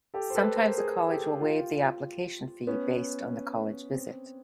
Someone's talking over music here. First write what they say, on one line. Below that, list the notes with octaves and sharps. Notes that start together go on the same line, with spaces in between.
Sometimes a college will waive the application fee based on the college visit.
G4 A4
C5
A4 B4
A#4 C5
G#4 A#4
G4 A4
F4 G4
B3 C#4
C4